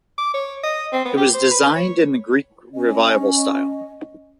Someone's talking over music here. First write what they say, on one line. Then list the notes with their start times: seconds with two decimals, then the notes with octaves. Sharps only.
It was designed in the Greek Revival style.
0.18 D6
0.34 C#5
0.63 D#5
0.92 C4
1.05 B3
1.18 G4
1.34 C5
1.51 B4
1.76 C#5
2.74 C#4 D#5